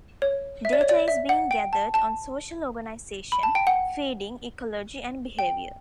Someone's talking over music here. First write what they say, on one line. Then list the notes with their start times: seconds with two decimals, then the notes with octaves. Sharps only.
Data is being gathered on social organization, feeding ecology and behavior.
0.22 C#5
0.65 E5
0.73 D5
0.81 C#5
0.89 D5
1.08 E5
1.29 F#5
1.51 G5
1.73 A5
1.94 A5
3.32 B5
3.43 A5
3.55 G5
3.67 F#5
5.39 G5